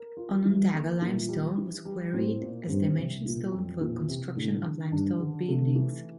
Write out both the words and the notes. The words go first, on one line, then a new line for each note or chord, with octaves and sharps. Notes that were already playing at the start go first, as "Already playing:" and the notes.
Onondaga limestone was quarried as dimension stone for construction of limestone buildings.
Already playing: A#4
F4
E3 G3
A#3
A#2 E3
G3
E3
G3
A2 C4
A#2
G2 C4
C2
A#2 E3
F2
A#2 E3
C3
A2 D3
D3
G2 D4
D3
C3 A3
E3